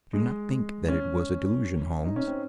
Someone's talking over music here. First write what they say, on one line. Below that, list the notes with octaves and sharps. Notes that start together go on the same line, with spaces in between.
Do not think that it was a delusion, Holmes.
G#3
C#4
D#4
C#4
C4